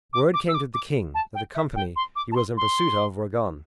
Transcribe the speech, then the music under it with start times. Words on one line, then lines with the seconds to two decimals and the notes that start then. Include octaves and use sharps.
Word came to the king that the company he was in pursuit of were gone.
0.13 D6
0.34 D6
0.48 E6
0.54 D6
0.74 D6
1.14 A5
1.35 G5
1.55 E5
1.76 G5
1.96 C6
2.16 D6
2.32 A5
2.36 C6
2.57 C6